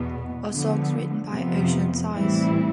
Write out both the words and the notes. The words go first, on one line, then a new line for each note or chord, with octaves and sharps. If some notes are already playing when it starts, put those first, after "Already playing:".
All songs written by Oceansize.
Already playing: E2 B2 B3
D3 F3 B3
F2 C3 F3 B3
A2 E3 G3 C4 E4